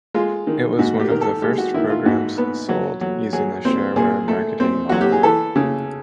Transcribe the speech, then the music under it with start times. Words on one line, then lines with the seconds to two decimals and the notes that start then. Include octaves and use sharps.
It was one of the first programs sold using the shareware marketing model.
0.14 G#3 F4
0.47 D#3
0.79 G#2 F#4
1.00 G4
1.10 D#3 A#4
1.21 A4
1.42 G#3 G4
1.58 F#4
1.74 D#3 E4
1.90 F4
2.06 G#2 F#4
2.38 B3
2.69 F#3
3.01 F#3
3.33 F#3 G#4
3.65 C4
3.96 A#2 G#4
4.28 A3
4.60 C4
4.89 F#3 F#4
5.01 G4
5.12 G#4
5.23 E3 A4
5.56 C#3